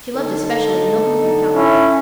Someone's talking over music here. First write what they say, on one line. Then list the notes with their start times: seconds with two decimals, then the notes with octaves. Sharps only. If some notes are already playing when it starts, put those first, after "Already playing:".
She loved especially Milton and Cowper.
0.15 D3 D#4 A4
1.53 C#4 E4